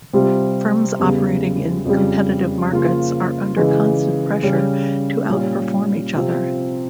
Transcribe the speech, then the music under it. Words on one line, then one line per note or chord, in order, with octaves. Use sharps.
Firms operating in competitive markets are under constant pressure to out perform each other.
C3 G3 C4 F4
E2 C#3 G3
F2 C#3 G3
C#3 F3 A#3 F4
C#3 E3 G#3
C#3 G3 C#4
A#2 G3 C#4
C3 F3 C4